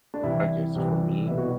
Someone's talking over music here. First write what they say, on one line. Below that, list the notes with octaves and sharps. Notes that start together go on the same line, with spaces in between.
Okay, so, for me,
D4
C2 C3 E3 G3 E4
C2 C3 E3 G3
C2 B2 G3 B3 E4
F#4